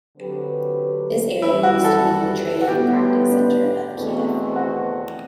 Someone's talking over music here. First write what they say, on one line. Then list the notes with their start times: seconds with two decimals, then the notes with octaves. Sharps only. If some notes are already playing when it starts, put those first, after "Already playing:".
This area used to be the trading and crafting center of Kiev.
0.17 D3 F#3 C4 G4 B4
1.42 F#2 E3 G3 E4
1.63 F#4
1.85 A4
2.61 F#4
2.68 A2 G3 B3 G4
3.31 D4
3.93 E2 B2 A3 C4
4.56 F#4